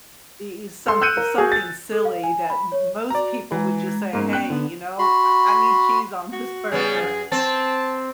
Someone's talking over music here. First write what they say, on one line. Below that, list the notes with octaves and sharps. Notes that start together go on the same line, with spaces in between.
e e some something silly that m most people would just say, "Hey, you know, I I need cheese on this burger,"
A4 C6
E6 F#6 G6 C#7 D#7
A#4
F#4 G#4
A6
A4
F5
G#5
B5
C#5
F#4 D5 A#5
E3 G#3 A#5
G#2 A#3 B3 C#4
G5 F#6
D3 B3
F#4 B5 C6
F#4
C#3 G3 B3 G#4
F#2
C4 A5